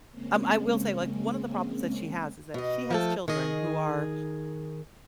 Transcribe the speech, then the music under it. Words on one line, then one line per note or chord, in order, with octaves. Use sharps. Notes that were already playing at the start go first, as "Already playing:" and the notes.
um, I will say, like, one of the problems that she has is that she has children who are,
C#3 G#3 A#3 C4 C#4
B2 D#5
F3 A3 A4
D#3 G#4 D#5